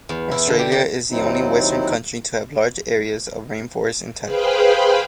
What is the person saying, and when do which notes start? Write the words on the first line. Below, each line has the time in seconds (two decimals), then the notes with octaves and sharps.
Australia is the only western country to have large areas of rainforest intact.
0.09 E2
0.31 E4
0.47 D3
0.59 G4
0.72 G4
1.10 D#2 F#3 C4 D#4 E4
4.24 G#4 B4 C5 F5 G5 B5